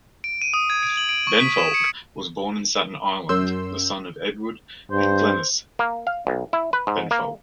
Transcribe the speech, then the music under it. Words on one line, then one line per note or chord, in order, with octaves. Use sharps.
Benfold was born in Staten Island, the son of Edward and Glenys Benfold.
D7
D#7
D#6
G#6
D7
F#7
D7
C#6
B6
E7
C#7
F#2 C6 E6 G6
G2 C5
A#3
F5
B1
E4
B4
G#2
A#3